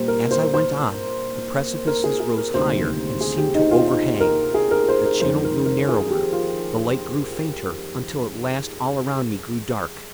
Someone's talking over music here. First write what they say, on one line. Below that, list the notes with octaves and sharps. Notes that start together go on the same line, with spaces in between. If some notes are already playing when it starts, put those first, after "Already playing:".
As I went on, the precipices rose higher and seemed to overhang, the channel grew narrower, the light grew fainter, until at last all around me grew dark.
Already playing: A#2 G3 A#3 C5
A#4
C5
C5
A#4
G#4
G#4
A#4
D2 C3 D#3 G3 A#3 C5
G#4
G4
D#4
F4
D#4
A#4
G#4
A#4
C5
A#4
F2 D#3 G#3 C5
A#4
A#4
G#4
G4
F4